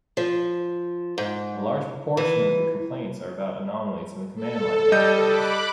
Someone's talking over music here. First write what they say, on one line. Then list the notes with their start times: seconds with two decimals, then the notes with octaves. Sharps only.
A large proportion of the complaints are about anomalies in the command line interface.
0.17 F3
1.18 G#2
2.17 E3
4.35 A4
4.92 G3 D#5 G6
5.24 B5 D6 F#6